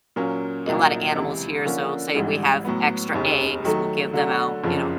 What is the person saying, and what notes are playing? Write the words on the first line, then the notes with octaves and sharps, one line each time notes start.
a lotta animals here, so say we have extra eggs, we'll give them out, you know?
A#2 F#3 A#3 C#4
C2 A#2 F#3 A#3 D#4
C#2 C3 E3
D3 F3 A#3 C#4
G#1 G#2 E3 G3
A2 F#3 B3
F1 D#2 C#3
D#3 F#3 A3
D3 F#3 A3
F#1 F2 C#3 F3